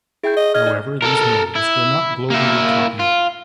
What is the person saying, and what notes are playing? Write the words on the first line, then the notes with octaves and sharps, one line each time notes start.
However these moves were not globally copied.
E4 G#4 G5 G6
D#5
D#5 F6 G#6
D#4 D5
A4 A#4
E4
A#3 E4
F4